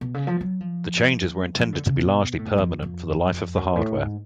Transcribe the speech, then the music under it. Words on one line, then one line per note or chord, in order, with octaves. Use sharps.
The changes were intended to be largely permanent for the life of the hardware.
B2
C#3
F3
F#3
F3
F3
D3
C#3
B2
A2
F2
F2
F#2
A2
G#2